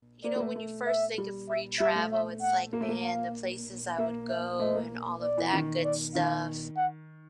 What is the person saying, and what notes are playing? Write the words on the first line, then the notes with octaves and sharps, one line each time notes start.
you know, when you first think of free travel, it's like, "Man, the places I would go and all of that good stuff,"
A#3 D5
A#3
A3
A3
E5
G3
E5
G3 E5
A3
E5
F#5
A#3
A3
A#3
F5
A#3 E5
E5
A3 D#5
A#3
D5
E3
D#3
D5
D#3 F5
F#5